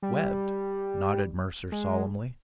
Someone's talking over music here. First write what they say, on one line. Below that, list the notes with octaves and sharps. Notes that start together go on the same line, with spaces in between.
"Webbed," nodded Mercer solemnly.
G3
G#3